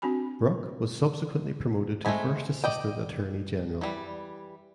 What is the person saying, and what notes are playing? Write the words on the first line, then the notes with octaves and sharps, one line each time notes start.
Bruck was subsequently promoted to First Assistant Attorney General.
C4 D4 F#4 G#5 B5
G#3 A3 C4 G#5 B5
D5 D#5 G5
E3 G3